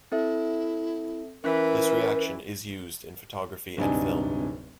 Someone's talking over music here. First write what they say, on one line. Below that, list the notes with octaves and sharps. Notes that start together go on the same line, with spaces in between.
This reaction is used in photography and film.
C4 E4 A4 E5
E3 C#4 A#4 B4 F#6 B6
D1 G2 C3 D4 D#4 G#5